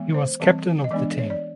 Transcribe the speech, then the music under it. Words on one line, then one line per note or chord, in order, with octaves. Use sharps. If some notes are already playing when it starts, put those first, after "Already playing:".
He was captain of the team.
Already playing: E3 G#3 B3
C5
E3 G3 C4
D#5
E3 G#3 B3 D4 D5
C#5
D5